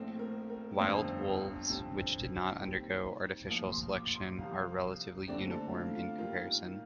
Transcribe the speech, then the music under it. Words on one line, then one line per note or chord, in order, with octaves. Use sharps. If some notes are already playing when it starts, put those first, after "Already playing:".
Wild wolves, which did not undergo artificial selection, are relatively uniform in comparison.
Already playing: A#1 A2 A3 C4
A#4
A#4
G1 F2 D3 F3 C5
F2 D3 G3 C4
D#2 D#3 G3 C4
A#1 A#2 F3 F5
C6
D6
C6
C2 C3 F3 F5
D#2 D3 A3 C4 D5
A4
F4
F4
G2 D#3 G3 A#3 F4
F4